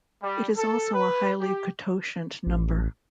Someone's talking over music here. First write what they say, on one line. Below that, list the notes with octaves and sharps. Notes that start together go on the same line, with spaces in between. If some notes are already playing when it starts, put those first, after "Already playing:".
It is also a highly cototient number.
G3
A4
B4
G4
A1